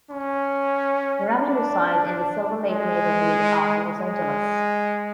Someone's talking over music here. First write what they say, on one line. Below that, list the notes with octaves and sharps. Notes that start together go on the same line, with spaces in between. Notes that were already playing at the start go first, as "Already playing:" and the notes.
Raman resides in the Silver Lake neighborhood of Los Angeles.
C#4
D4
G#3
G#3